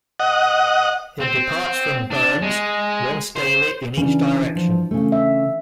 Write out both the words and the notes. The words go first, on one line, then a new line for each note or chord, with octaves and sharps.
It departs from Burns once daily in each direction.
D#5 F#5
C4
D4
G#3
C5
C#3 E3 D4
F3
C#3 A3
E5